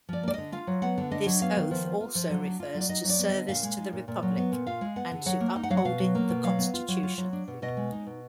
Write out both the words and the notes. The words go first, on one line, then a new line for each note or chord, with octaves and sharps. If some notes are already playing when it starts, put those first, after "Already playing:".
This oath also refers to service to the republic, and to upholding the Constitution.
F3 D5
A#3 D5
D3 D#5
F4 F5
F#3
B3 F#5
D3
D4 D#5
F#3
B3 F5
D#3
F3
B3
F4
F3
F#3
D4
F4
F#3
D5
D#4 D#5
F#3 D5
B3
D3 D#5
A#2 F5
G#3
D#4
A#2
A#2
F#3
B3
A#2
F4 F5
G#3
B3 F#5
D3
F#3 F#5
A#3
D#4
F#5
F#3 F5
F#5
B2 F5
F#3
A#3
B2
F#3 F5
B3
F4
F#3
F4
F#3
D4
B2
B2 D#5
G#3
D#4
B2